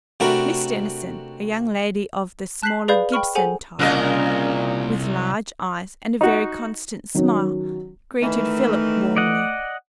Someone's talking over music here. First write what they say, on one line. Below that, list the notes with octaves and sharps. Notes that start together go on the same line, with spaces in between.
Miss Denison, a young lady of the smaller Gibson type, with large eyes and a very constant smile, greeted Philip warmly.
C3 A3 D4 F#4 A#4 B5
A5 F#6 G6 B6 C7 F#7
G#4 B4 D5 F5 B5 G6
G5 B5 C#6 F6
G#4 A4 C5 F#5 G#5
C2 A#2 C#3 A#4 D#5
D#4 F#4
D#3 F#3 C#4 C#5
D#3 E3 A3
D5 D#5 F#5